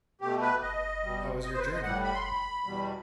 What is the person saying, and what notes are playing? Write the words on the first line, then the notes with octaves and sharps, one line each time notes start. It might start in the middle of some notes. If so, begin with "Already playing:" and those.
How was your journey?
B2 A3 G4
B4
D#5
B2 G3
D#5
C5
B4
C5
D#5
A2 G3 F#5
B5
C6
B5
E2 B2 G3